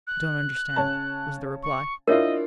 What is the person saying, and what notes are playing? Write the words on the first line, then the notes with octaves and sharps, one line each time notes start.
"I don't understand," was the reply.
F#6
C#3 C#5 A5
C#6
D4 E4 F4 A#4 C#5 D#5